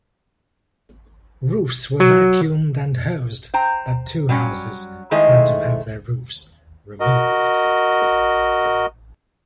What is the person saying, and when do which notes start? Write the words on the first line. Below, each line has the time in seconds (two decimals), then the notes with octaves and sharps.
Roofs were vacuumed and hosed, but two houses had to have their roofs removed.
2.00 F#3
3.54 C5 G5 A#5
4.29 F#3 G3 C#4
5.11 D#3 G#3 A3 E4 C5 D#5
7.00 F#4 A#4 D#5